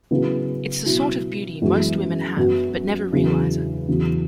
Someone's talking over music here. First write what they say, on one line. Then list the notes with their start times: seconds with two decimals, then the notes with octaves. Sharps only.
It's the sort of beauty most women have, but never realize it.
0.11 C#3 F#3 B3 E4
0.86 B2 F#3 E4
1.62 F#2 E3 G#3 B3 F#4
2.37 F#2 F#3 B3 F#4
3.12 E2 C#3 F#3
3.88 E2 C#3 F#3